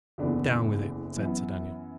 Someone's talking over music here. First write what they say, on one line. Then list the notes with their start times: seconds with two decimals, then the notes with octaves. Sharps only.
"Down with it," said Sir Daniel.
0.18 F#1 E2 D3 B3 D4
1.17 F#2 E3 B3